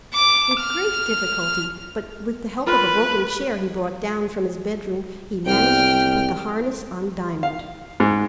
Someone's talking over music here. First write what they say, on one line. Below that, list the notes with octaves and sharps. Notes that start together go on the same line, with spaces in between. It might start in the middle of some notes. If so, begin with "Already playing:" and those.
With great difficulty, but with the help of a broken chair he brought down from his bedroom, he managed to put the harness on Diamond.
D6
F6
F4 A#4 B4 B5
C2 G5 F6
F5
G#2